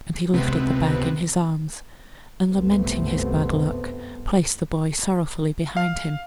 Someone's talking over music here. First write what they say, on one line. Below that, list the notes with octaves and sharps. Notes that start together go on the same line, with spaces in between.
And he lifted the bag in his arms, and, lamenting his bad luck, placed the boy sorrowfully behind him.
C#2 C3 B3 C4 B4
G1 C2 F#2 A3 B3 C4
F5